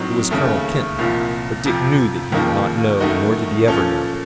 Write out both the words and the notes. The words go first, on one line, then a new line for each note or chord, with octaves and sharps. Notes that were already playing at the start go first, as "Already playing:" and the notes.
It was Colonel Kenton, but Dick knew that he did not know, nor did he ever know.
Already playing: A2 F#3 C4 D#4 A#4
D#2 C#3 A3
C2 A#2 F3
F2 C3 F3
D#2 C#3 F3 A#3 D#4
F#2 D#3 A3 D#4 F#4
A#2 F3 A#3 C#4 A4